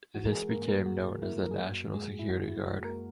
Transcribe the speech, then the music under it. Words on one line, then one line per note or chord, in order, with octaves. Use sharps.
This became known as the National Security Guard.
E3 F#4
A#4
G#3 G#4
G#2 A#3 A#4
A#3 A#4
G#2 F#4
A#3 E4
A#4
G#4
F#2 F#4
F#2 G#3 G#4
E4
F#2 F#4
E4
G#3 F#4
A#3 A#4